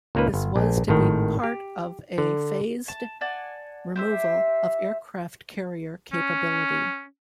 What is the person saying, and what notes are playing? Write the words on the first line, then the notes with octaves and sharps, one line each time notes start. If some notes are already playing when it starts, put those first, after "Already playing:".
This was to be part of a phased removal of aircraft carrier capability.
C#2 A#2 A#3 D#4 B4
G1
A#1
G#1 A2 D#3
G4
D3
A5
D5 F#5 G#5 A5
G4 C5 E5
C#4